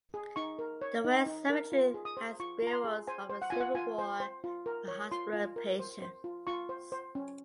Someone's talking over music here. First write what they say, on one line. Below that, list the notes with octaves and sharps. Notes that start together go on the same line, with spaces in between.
The West cemetery has burials from the Civil War and hospital patients.
G#4
D#4 C#6
A#4
C#5
D#4
D#4
A#4
F4
G#4
D#6
C5
F4 C#6
F4 A#5
C6
G#4
C5 G#5
C5
F#5
F4 G#5
F#5
F4 G#5
C5
C5
F4
A#4
C#5
F4 C6
F4
A#4
C5
C5
F4
F4 C#6
C5
C5
C#4